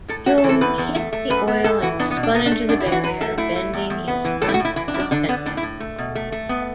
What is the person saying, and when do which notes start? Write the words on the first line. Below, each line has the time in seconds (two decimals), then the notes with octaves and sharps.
Hulme hit the oil and spun into the barrier, bending his front suspension.
0.08 A2 A4
0.26 A3 F#4
0.38 A4
0.44 E3
0.49 A4
0.61 E2 B4
0.78 E2
0.96 A3
1.13 A3
1.30 F#2 B4
1.47 B3
1.64 A2 A4
1.82 E3 F#4
1.99 B3 D4
2.11 B3
2.17 B2
2.23 D4
2.34 A3 B3
2.46 D4
2.51 A3
2.69 F#2 D4
2.80 E4
2.86 E3
2.92 F#4
3.03 F#3 B4
3.21 A3 A4
3.38 A3 E4
3.55 A3
3.73 E2
3.90 E2
4.08 B3
4.25 E3
4.42 A2 A4
4.48 E4
4.54 F#4
4.60 A2 E4
4.76 E3 E4
4.88 D4
4.94 F#2 E4
5.00 D4
5.11 D3 D4
5.29 D3 B3
5.46 A2 D4
5.57 E4
5.63 A2
5.80 A3
5.98 B2
6.15 A3
6.32 A3
6.49 B3